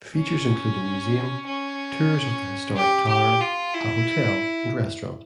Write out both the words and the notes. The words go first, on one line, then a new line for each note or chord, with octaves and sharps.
Features includes a museum, tours of the historic tower, a hotel and restaurant.
C#4
C#4
G4
G4
F4
E4